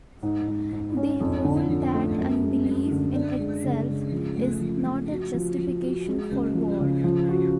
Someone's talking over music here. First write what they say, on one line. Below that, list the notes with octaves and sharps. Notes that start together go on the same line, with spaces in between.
They hold that unbelief in itself is not a justification for war.
G#2
G#2
G#2
C#4
F2
D3
F3
A3
F#2
G#3
F#2
D3
D4
G#3
C#3
G#3
F3
A3
F3
F3
F#4
F3
F3
F#4
G#3
C#2
F3
C#3
F3
F#4